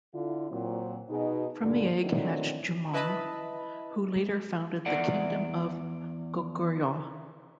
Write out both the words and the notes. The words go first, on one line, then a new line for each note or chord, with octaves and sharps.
From the egg hatched Jumong, who later founded the kingdom of Goguryeo.
D3 E4 F4
A#2 F#3 C4
B2 D#4 G#4
G2 A#2 D3
D#3 F#3 A3 C4 D4 E4
E4 B4 D#5 E5 A5 B5
G#3
E2 D5 F#5